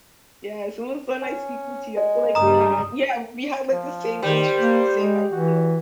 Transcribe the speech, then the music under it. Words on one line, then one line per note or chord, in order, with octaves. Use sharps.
Yes, it was so nice speaking to you, I feel like we had yeah, we had, like, the same interests and same ideas.
C#4
G#3
G2 C#3 G3 A#5 D#6
F3
D#3 G3 C5
A#3
G#3
E3 F#4